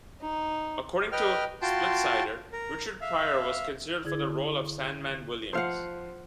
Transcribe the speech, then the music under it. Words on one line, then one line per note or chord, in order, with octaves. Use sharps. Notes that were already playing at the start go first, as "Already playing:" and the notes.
According to Splitsider, Richard Pryor was considered for the role of Sandman Williams.
D#4
B4 D#5 G5 F6
F4 F#4 G5 A5 C6
A#4
E5 F5
D3 E4 G#4 G#6
F3 C5 F5 F#5 C7